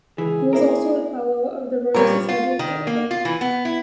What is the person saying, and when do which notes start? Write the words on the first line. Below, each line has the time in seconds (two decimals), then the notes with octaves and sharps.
He was also a Fellow of the Royal Society of Canada.
0.18 C#2 E3 G#4
0.53 A#3 E4 G#4 A#4
1.94 A#2 G3 A#4 C#5
2.29 F4
2.59 D#3
2.87 A#3
3.11 F4
3.25 E3
3.41 B3
3.65 E4